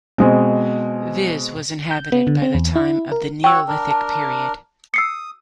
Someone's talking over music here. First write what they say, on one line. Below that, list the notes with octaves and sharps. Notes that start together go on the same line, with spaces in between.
Vis was inhabited by the time of the Neolithic period.
B2 G#3 C4
G6
B3
D3
C4
E2
E4
A#4
F#4 C#5 G5 E6
D4 A#4
A5
D#6 E6 C7 C#7